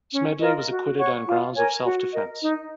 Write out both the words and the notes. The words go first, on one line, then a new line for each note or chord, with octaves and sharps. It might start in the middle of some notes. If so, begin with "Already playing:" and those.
Smedley was acquitted on grounds of self-defence.
C#4
F4 A#4 D#5
F#4
C#5 F#5 C#6
F4
A#4 C#5 G#5
F#4
A#4 D#5
D#4